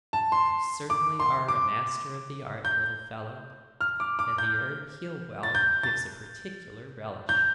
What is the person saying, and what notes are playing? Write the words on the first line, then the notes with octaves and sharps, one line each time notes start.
'You certainly are a master of the art, little fellow, and the herb heal-well gives a particular relish.'
A5
C6
D6
C6
D6
G6
F6
D6
D6
G6
A6
G6
A6
G6